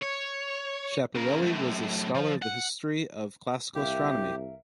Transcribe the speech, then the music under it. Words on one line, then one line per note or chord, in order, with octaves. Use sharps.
Schiaparelli was a scholar of the history of classical astronomy.
C#5
C#3 A#4
F#2 A2
F3
F#5
C2 G4 A#4 E5 F5